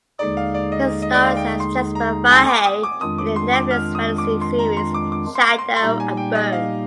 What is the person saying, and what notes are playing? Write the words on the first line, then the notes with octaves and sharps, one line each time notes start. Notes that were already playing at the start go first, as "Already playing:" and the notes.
He stars as Jesper Fahey in the Netflix fantasy series "Shadow and Bone".
D#2 D3 G#3 D#4 G#4 D5
F5
D5
D#5
D#5
D5
F5
G5
C6
A#5
G#5
D6
D#6
D6
F2 D#3 G#3 D4 F4 D#6
D6
C6
D6
F6
D#6
D6
C6
A#5
C6
D6
D6
C6
C6
C6
A#2 G3 A#3 D#4 G4 A#5
G#5
G5
D#5
F5